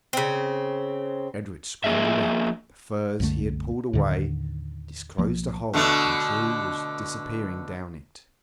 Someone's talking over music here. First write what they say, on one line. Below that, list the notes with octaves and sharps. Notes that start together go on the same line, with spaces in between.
Edred scrambled up; the furze he had pulled away disclosed a hole, and True was disappearing down it.
C#3 C4
F3 A#3 G#4 D#5 E5
C2 F#2 D3 A3
D#2 A2 D3 D#3
B1 F3 A#3
B2 D3 A3